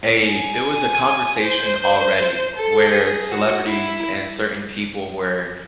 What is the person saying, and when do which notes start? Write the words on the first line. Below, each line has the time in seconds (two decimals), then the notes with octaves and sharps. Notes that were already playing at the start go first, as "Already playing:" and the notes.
a it was a conversation already where celebrities and certain people were,
0.29 G#5
1.42 C5
2.56 A4
2.94 G#4
3.31 F#4
3.69 E4